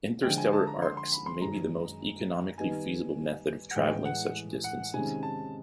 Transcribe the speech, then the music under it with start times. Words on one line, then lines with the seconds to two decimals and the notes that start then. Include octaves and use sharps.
Interstellar arks may be the most economically feasible method of traveling such distances.
0.23 D3 F3 G#3 G5
0.38 G#5
0.53 A5
0.67 A#5
0.82 C6
0.97 C6
1.12 B5
1.26 C6
1.41 F#2 D#3 G#3 A#5
2.58 D#3 G3 B3 D#4 G#5
3.71 F#5
3.75 A2 E3 G#3 G5
4.05 F#5
4.64 F#5
4.94 C3 D#3 G#3 C#4 G#5
5.23 A5